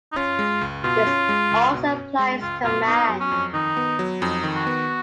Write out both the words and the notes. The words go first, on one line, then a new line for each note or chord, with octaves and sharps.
This also applies to man.
D#4
C#4 F4
G#3
C#2
B2 F4
C#4
G#3
C#2
B2
C#4
G#3
C#2 F4
B2 F4
B3 D#4
F#3
C#4
F2
D#3 D#4
B3
F#3
F2 D#4
D#3
F#4
B3